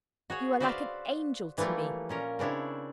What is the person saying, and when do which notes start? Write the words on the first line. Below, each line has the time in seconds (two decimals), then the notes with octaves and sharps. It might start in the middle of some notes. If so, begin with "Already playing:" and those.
You are like an angel to me.
0.30 F#4 G#4 C#5
0.60 F#4 B4 C5 D5 E5 F5
1.58 E3 F3 G3 A3 A#3
2.09 A#2 C#4 A#4
2.39 C#3 C4 D4 E4 C#5